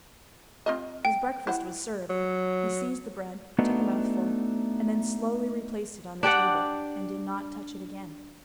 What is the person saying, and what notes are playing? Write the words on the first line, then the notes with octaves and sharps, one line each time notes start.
His breakfast was served; he seized the bread, took a mouthful, and then slowly replaced it on the table, and did not touch it again.
C4 F4 D#5
G5
E4 C5 F#5
F#3
A3 B3 D4 D#4 F#4 B4
D4 G4 D5 F#5